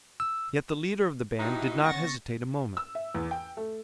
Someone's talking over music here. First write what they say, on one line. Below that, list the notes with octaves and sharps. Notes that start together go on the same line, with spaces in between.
Yet the leader of the band did not hesitate a moment.
E6
G2 D#4 E4 F#4 A#5
C#3 B3 C#4 F#5 C#6 A6 A#6
E6
E5
E2
G5
A3